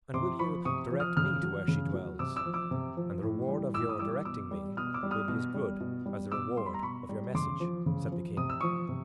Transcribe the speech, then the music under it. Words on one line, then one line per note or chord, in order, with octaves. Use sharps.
"And will you direct me to where she dwells? and the reward of your directing me will be as good as the reward of your message," said the king.
C3 C6 D6
F3 B5 C#6
C3 C#6 D#6
F3
D#6 F6
C#3 D#6 F6
F#3
C#3
F#3
C3 D6 E6
D6 E6
F3
D6 E6
C3
F3
A2
E3 G3
A2 D6 E6
D#6
E3 G3 D6 E6
B2 D6 E6
G3
B2 D#6 F6
D6 E6
G3
D#6 F6
B2
G3
B2
G3
B2 D6 E6
G3 C6
B5
A#5 C6
B2 B5 C#6
G3
C#3 C6 D6
F3
C#3
F3
C3 D#6
E6
F3 C#6 D#6
C3